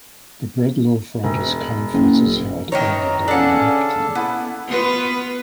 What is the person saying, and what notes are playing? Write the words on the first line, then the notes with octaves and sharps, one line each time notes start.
The Bread Loaf Writers' Conference is held annually in Ripton.
E1
F#1
D#3 E3 C#5 A#5
C#3 C#4 D4 A4 F#5
B3 E4
B3 F4 B4